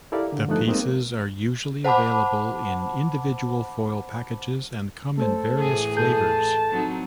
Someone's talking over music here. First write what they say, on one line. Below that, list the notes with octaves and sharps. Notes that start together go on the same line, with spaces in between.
The pieces are usually available in individual foil packages and come in various flavors.
E4 G4 A4 A#4 D5 F5
D3
G2 F3 A3 D#4 A4 F#6
G#3 A#3 C4 D#4 A#4
C5 F#5 A5 B5 D6
A3 A4 C5
A2 E3 G#4
A4 A5 G6
F#3 C4 D#4